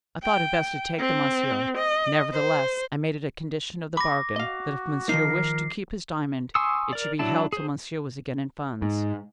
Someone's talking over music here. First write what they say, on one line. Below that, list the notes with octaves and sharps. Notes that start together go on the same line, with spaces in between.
"I thought it best to take them, monsieur; nevertheless, I made it a condition of the bargain, that if monsieur wished to keep his diamond, it should be held till monsieur was again in funds."
G5
C4
D#5
C5
B5 D6 A#6
F#4 D#5 F5
D#3 F3 D#4 A#4 C7
G#5 C6 C#6 D#6 E6
A#4 D5
F#3 D4 E4 A5
G#4 C5
G#2